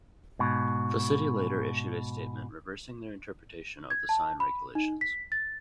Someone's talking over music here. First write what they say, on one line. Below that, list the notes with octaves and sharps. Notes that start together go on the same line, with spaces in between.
The city later issued a statement reversing their interpretation of the sign regulations.
G#2 B2
G#6
A5
B5
D#4
B6
A6